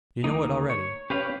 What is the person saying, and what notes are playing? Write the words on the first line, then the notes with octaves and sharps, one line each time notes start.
You know it already.
D2 A#3 D#4
C#5
C#4 G4 B4 F5